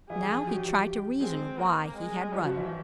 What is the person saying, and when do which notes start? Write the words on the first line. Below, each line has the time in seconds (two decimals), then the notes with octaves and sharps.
Now he tried to reason why he had run.
0.10 E3 E4 G#4
0.22 F3 F4
0.35 F3 F4
0.47 F#3 F#4 G4
1.21 G#3 C4 G#4
1.58 A#3
1.96 G#3
2.33 F3 G3 G4
2.45 F#3 F#4
2.57 E3 E4